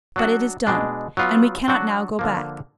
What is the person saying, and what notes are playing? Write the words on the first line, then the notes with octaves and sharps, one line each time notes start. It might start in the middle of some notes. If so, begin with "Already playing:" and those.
But it is done, and we cannot now go back.
F#3 D4 F#4
B2 G#3 D4
F#3 B3 F4
F#3 D4 F#4
D3 F3 A#3